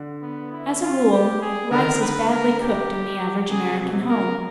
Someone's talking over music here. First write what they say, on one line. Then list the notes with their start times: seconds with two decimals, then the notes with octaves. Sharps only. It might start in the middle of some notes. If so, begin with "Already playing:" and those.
As a rule rice is badly cooked in the average American home.
Already playing: D3
0.22 B3
0.52 E4
0.82 F4
1.12 G4
1.42 G#4
1.71 D3 A#4
1.79 D#3
1.86 D3
2.01 B4
2.30 A#4
2.60 G4
3.49 C#3 G#4
3.71 C3
3.85 B2
3.93 C3
4.09 A#4
4.16 C#3